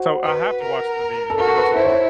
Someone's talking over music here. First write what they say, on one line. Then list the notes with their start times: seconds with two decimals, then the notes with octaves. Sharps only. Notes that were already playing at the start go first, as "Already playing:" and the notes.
So, I have to watch the news, I mean, that's important.
Already playing: F#4 C5
0.24 B4
0.63 A#4
1.30 A4
1.38 F#4 A#4
1.57 B4
1.76 E4 C5
1.85 C#5
1.94 C5